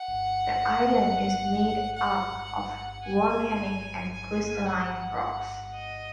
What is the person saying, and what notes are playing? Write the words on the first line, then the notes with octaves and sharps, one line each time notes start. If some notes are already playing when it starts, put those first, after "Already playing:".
The island is made up of volcanic and crystalline rocks.
Already playing: F#5
F#5
G#5
G#5
F#5
D#5